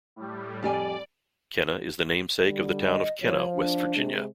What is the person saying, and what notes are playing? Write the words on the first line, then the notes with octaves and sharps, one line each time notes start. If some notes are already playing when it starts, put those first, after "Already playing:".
Kenna is the namesake of the town of Kenna, West Virginia.
A2 G3
F2 G4 D5 G#5
D3 G3
D#5
F3 C#5
D4
C3 G#3